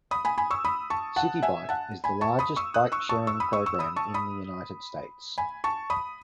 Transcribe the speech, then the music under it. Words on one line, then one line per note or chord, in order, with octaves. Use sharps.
Citi Bike is the largest bike sharing program in the United States.
B5 D#6
G#5 B5
G#5 B5
C#6 E6
B5 D#6
A5 C#6
F#5 A5
E5 G#5
F#5 A5
G#5 B5
A5 C#6
B5 D#6
C#6 E6
D#6 F#6
C#6 E6
A5 C#6
C#6 E6
B5 D#6
C#6 E6
C#6 E6
B5 D#6
A5 C#6
B5 D#6
G#5 B5
A5 C#6
B5 D#6